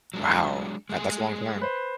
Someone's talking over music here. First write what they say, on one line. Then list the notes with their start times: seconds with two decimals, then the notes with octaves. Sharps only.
Wow. That that's a long time.
0.14 F#3 G#3 D4
0.89 G#3 A3 G#4
1.61 B4 C5